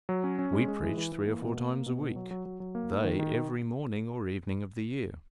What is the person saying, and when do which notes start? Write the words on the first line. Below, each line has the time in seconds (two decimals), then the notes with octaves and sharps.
We preach three or four times a week; they every morning or evening of the year.
0.09 F#3
0.24 C#4
0.39 C#4
0.53 G#3
0.68 G#3
0.82 E3
0.98 E3
1.12 E3
1.27 A#3
1.42 B2
1.57 A#3
1.72 A#3
1.86 B2
2.01 B2
2.16 F#3
2.31 F#3
2.46 F#3
2.60 F#3
2.75 A#3
2.90 D#4
3.04 D#3
3.19 D#3
3.34 D#3